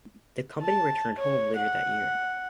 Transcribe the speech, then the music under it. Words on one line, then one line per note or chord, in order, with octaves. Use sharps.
The Company returned home later that year.
A5
C#5
F#5